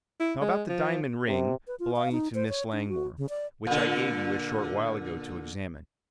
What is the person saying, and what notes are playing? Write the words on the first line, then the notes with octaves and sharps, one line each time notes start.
Now about the diamond ring belonging to Miss Langmore, which I gave you a short while ago to examine?
E4
G#3
F3
C3
B4
F4
F5
D#4
C5
C#5
D4
F#4
C#3
D5
A#2 D3